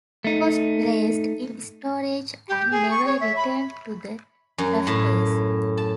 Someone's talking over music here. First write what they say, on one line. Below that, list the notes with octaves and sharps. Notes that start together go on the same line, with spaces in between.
It was placed in storage and never returned to the rafters.
A3 D#4
G4
G#4
C#6
C#5
E5
B5
F#2
A2
A5